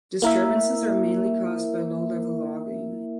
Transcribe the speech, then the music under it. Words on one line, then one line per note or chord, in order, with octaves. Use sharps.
Disturbances are mainly caused by low-level logging.
A#3 E4 A#4 E5